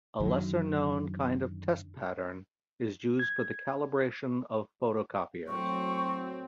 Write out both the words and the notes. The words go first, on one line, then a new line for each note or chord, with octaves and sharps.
A lesser-known kind of test pattern is used for the calibration of photocopiers.
F#2 D3 D#3 F#3
G#6
A2 F#3 C4 C#6